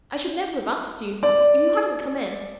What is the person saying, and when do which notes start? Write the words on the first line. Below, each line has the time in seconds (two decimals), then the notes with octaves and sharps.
'I should never have asked you, if you hadn't come in.
1.23 D5